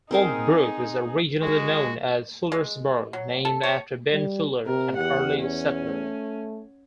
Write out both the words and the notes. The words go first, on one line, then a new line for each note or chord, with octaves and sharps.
Oak Brook was originally known as Fullersburg, named after Ben Fuller, an early settler.
C4 D#4 G#4 A#4 C5
G#3 F#4
G#3
F#3
A4
C#5
G3
C3 G4 A#4
E2 F#5
C#4
A3